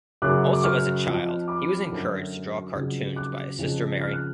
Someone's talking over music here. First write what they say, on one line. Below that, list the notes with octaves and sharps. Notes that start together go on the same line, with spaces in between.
Also as a child he was encouraged to draw cartoons by his sister Mary.
F#2 C#3 F#3 D6 F#6
D6
C#6 F6
F2 F3
B5 D6
F#2 D3 F#3
F2 C#3 F#3
D6 F#6
F2 C#3 F3
F6
F#6